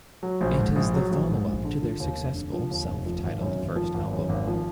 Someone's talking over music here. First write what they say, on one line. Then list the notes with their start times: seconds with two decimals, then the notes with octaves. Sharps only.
It is the follow-up to their successful self-titled first album.
0.23 F#3
0.41 A#1
0.58 G#2
0.76 A#1
0.94 F#3
1.11 A#1
1.29 G#2
1.47 A#1
1.64 D3
1.82 F3
2.00 D#2
2.17 F1
2.35 D3
2.53 F3
2.71 D#2
2.88 F1
3.06 F3
3.23 G#1
3.41 F#2
3.59 G#1
3.76 F3
3.94 G#1
4.12 F#2
4.29 G#1
4.47 F3